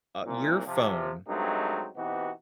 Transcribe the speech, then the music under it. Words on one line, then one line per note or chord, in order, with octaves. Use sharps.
uh, your phone
C2 A#2
C3 F3
G2 F#3 G#3 A3 C4 D#4
B2 E3 C4 D#4 F#4 G4